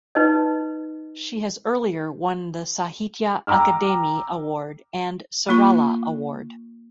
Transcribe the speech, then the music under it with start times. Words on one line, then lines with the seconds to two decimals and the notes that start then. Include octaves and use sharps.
She has earlier won the Sahitya Akademi Award and Sarala Award.
0.15 D#4 B4 D#5
3.47 G5 A#5 D6 E6 F6
5.49 A#3 F4 C#6